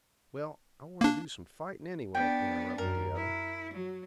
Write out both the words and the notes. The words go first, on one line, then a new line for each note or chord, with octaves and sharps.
"Well, I wanta do some fighting anyway," interrupted the other.
A#3 D4
B3 D4 G5
F#2 A#4
E4
F#3